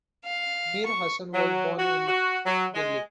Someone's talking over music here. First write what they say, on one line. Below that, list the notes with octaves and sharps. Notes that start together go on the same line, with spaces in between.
Mir Hasan was born in Delhi.
F5
C#6
F#3
F#4
F#4
F#3
G#3